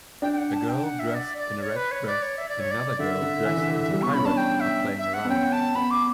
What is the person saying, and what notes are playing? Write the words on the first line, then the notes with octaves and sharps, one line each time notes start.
A girl dressed in a red dress and another girl dressed as a pirate are playing around.
D4 G5
G5
F#5
A5
G5
F#5
E5
D5
D5
C#5
B4
C#5
D5
C#5
E5
D5
C#5
D5
D3 E5
D3
E3
D3
E3
G3
B3 C#6
C#4 B5
D4 A5
G5
E5
E5
F#5
B3
C#4 G5
A5
B3 B5
D6